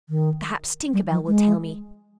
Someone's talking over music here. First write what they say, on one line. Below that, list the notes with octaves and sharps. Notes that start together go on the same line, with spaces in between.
'Perhaps Tinker Bell will tell me.'
D#3
G3
F3
G#3